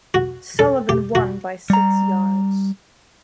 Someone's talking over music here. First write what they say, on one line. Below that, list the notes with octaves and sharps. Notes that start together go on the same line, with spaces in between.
Sullivan won by six yards.
F#4
A4
G4
F#4
G3 A#5